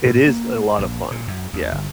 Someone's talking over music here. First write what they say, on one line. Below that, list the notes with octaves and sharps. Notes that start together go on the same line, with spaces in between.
It is a lot of fun. Yeah.
A2
A#3
A#1
A#2
F#2
D#2
G1